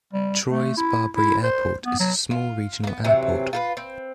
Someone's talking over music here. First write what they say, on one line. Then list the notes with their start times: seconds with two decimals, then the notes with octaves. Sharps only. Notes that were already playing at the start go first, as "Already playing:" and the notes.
Troyes - Barberey Airport is a small regional airport.
0.14 G3
0.52 A3
0.77 E4
1.16 E4
1.43 C5
1.86 B3
2.00 F#3
2.31 F4
2.84 A#3 B3
3.04 C3 E3 F#3 C4
3.53 F4 A4 B4
3.77 C4